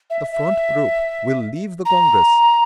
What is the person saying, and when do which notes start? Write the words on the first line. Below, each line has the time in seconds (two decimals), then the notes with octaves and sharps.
The Front group will leave the Congress....
0.10 E5
0.32 E5
1.85 A#5